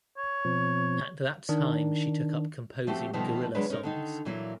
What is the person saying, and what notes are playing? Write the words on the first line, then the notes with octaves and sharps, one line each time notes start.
At that time she took up composing guerrilla songs.
C#5
B2 F3 C4
D#3 D4
F3 A3 C4 F#4 G4
B2 D#3 F3 G3 A3 A#3
C#3 F#3 G#3 D4 B4
C#4 D#4 A#4
D3 D#3 D#4
A#2 E3 F#3 A#3 E4